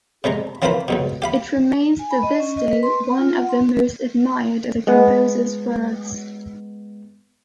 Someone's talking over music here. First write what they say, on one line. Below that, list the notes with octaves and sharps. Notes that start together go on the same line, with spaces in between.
It remains to this day one of the most admired of the composer's works.
C3 G3 G#3 A#5
E3 C4 F4 A#4 C5 B5
C#2 G2 B2
G4 F5 B5
G#5
B5
D#5
C#4
D#5
B4
C6
C4
F4
F#5
C6
G#3 B3